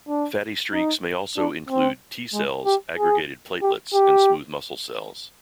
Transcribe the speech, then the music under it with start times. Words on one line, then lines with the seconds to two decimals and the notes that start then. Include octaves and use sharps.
Fatty streaks may also include T cells, aggregated platelets, and smooth muscle cells.
0.08 D4
0.73 D#4
1.37 D4
1.69 C4
2.33 G#3
2.66 G4
2.97 G#4
3.62 G4
3.94 G4